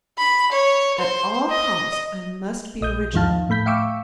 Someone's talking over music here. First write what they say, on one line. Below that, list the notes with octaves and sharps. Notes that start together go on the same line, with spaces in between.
At all costs I must be original.
B5
C#5
C5
D#5
A#1 D#5 D#6 G6
D#2 G#2 F3 D#4 F5 A5
A2 A3 B5 G6 B6
E5 F5 G5 C#6 D6 E6